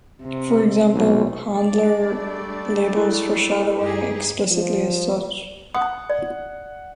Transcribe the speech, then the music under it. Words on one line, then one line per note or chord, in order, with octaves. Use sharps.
For example, Handler labels foreshadowing explicitly as such.
C3
B1
G#3 D4 D5
G3 A3
E4 A4
G2 D#4 G4 G#4
F3
F#5 D#6
D5